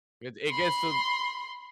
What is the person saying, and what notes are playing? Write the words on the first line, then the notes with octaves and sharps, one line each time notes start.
It it gets to
B5 C6